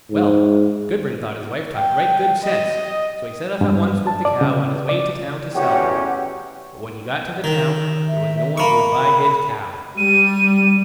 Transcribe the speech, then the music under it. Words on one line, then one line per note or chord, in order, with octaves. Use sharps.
Well, Gudbrand thought his wife talked right good sense, so he set off at once with the cow on his way to town to sell her; but when he got to the town, there was no one who would buy his cow.
G#2
G5
D#5
G2
A5
D5
C#3
D5
A1 E2 C#4 F#4 G4
D#3
E5
A#3 B5 C#6
G3 D#7